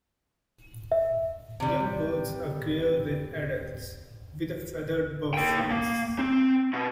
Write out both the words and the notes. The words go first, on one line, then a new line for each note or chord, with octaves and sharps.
Young birds are greyer than adults, with a feathered buff face.
E5
C3 G3
A#3 G5
A#3
C4
B2